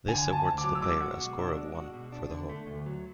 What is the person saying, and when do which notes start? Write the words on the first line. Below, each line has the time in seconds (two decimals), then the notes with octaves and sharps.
This awards the player a score of one for the hole.
0.08 D3 G#5
0.27 D2
0.33 A5
0.45 D2
0.58 D6
0.64 F#3
0.75 E6
0.82 G#3 D6
1.01 F#4
1.19 B2
1.38 D4
1.56 G#3
1.75 F#4
1.93 B2
2.12 D4
2.31 D3
2.49 A3
2.67 D2
2.86 F#3